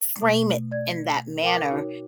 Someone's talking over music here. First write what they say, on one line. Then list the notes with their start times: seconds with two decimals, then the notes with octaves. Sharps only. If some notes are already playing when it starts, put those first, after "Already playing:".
frame it in that manner,
0.19 B2 A3
0.71 D5 G#6
1.42 A#4 G5 D6
1.71 D#4 F#4 C#5